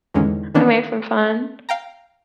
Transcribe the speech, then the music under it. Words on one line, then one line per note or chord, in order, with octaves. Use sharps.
I might for fun,
E2 G#2 D3 D#3 G#3 C#4
D#3 E3 A#3 B3 C#4 D4
F5 G5 A#5